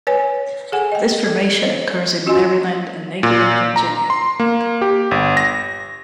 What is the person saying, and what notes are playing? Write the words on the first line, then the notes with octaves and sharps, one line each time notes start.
This formation occurs in Maryland and neighboring Virginia.
B4 C#5 G#5
G#4 A4 F#5 G#5
D#5 G5
A4
C5 C#5 D#5
C#4 F4 F#4 D#5 G#5 C6
A#2
A#5
C6
A#3
G4
G1
A#6